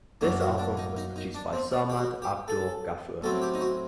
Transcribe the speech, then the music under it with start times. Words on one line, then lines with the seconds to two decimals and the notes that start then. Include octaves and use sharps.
This album was produced by Sarmad Abdul Ghafoor.
0.21 F#2 F#3 A#3 D4
0.40 F#4
0.58 D4
0.77 D#4
0.97 D#4
1.16 D#4
1.35 D4
1.53 C4
1.71 D4
1.90 G4
1.97 F#4
2.22 G4
2.48 A4
3.22 A2 F#3 C4 A4
3.42 G4
3.54 D#4
3.61 F#4